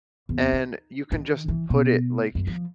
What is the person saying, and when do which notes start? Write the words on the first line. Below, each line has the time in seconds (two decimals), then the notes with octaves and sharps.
and you can just put it, like,
0.29 E2
0.53 D#4
1.12 D#3
1.48 E3
1.70 B2
2.35 F#2
2.47 F3